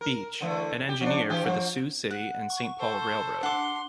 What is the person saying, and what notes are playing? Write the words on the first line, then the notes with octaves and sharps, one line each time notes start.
Beach, an engineer for the Sioux City and Saint Paul Railroad.
A#4
D3 E3 A3
G4
F3 D4
E3 G4 G#4
F3
F#5
C#6
A4 C5
D4 F#5 C6 D6